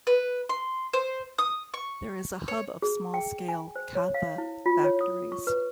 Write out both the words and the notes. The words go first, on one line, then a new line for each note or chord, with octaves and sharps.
There is a hub of small scale Katha factories.
B4
C6
C5
D#6
C#6
C#5
G#4
G5
G#5
C5
C#5
F5
E4
F4
C#5
D#6
C#6
B4